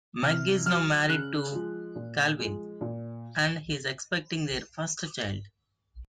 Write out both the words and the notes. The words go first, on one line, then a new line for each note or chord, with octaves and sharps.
Meg is now married to Calvin and is expecting their first child.
C3 F6
F#3 F6
C#3 F#6
F3 G#3
A#2
F3 G#3
A#2